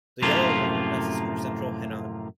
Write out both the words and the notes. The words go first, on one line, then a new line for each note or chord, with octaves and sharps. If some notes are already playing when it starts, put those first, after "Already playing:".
The Yellow River passes through central Henan.
F#2 A2 C3 F3 A#3 F4